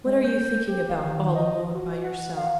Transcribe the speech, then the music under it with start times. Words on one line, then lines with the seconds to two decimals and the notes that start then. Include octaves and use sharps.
What are you thinking about all alone by yourself?
0.05 G#3
0.25 G6
0.68 G4
0.89 F5
1.04 D#3
1.35 D#5
1.75 F#4
2.03 F#5
2.37 F5